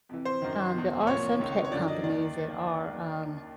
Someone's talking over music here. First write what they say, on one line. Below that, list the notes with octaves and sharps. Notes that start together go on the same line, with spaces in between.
Um, there are some tech companies that are, um
F2 C3 E3
C5
F#2 D#3
E2 B2
C2 A#2 F3 C#5
C#2 C3 D#3
C#5
F#2 D3 F3 D5
D#5
D#2 D#3 D5